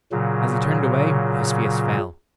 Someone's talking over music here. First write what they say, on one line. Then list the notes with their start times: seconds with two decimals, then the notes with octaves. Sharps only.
As he turned away his face fell.
0.12 A#2 C#3 F#3